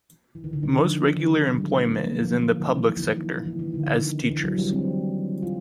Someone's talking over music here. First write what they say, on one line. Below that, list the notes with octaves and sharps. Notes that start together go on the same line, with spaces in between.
Most regular employment is in the public sector, as teachers.
E3
D#3
D3
D#3
F3
F#3
G3
G#3
A3
B3
A#3
F3
D#3
E3
E3
D#3
E3
D#3
D3
D#3
E3
F#3
G3
C4
F4